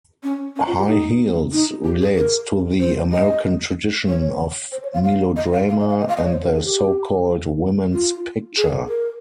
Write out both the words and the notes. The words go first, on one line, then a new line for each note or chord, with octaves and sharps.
"High Heels" relates to the American tradition of melodrama and the so-called "woman's picture".
C#4
C#4
F4
G4
D#4
D#4
G4
G#4
A#4
C5
D#5
C#5
C5
C#5
F5
F5
D#5
F5
F5
D#5
F5
D#5
F5
D#5
C#5
C5
A#4
G#4
G4
F4
G#4
A#4